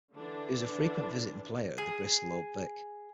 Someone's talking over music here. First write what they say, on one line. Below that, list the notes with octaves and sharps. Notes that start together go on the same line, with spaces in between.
He was a frequent visiting player at the Bristol Old Vic.
D3 E3 D4
G#4